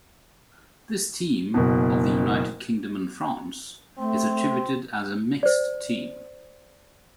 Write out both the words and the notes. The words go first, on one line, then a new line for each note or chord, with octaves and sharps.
This team, of the United Kingdom and France, is attributed as a mixed team.
F#1 B2
A3 C4
C5 D5